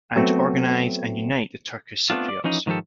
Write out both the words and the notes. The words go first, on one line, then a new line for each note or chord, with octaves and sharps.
And to organise and unite the Turkish Cypriots.
F#3 A3 B3 C4 F#4 A4
A3 B3 C4 D4 F4
D5
E3 F3 C#4 D#4 G#4
G#2 D#3 F3 C#4 G4 A4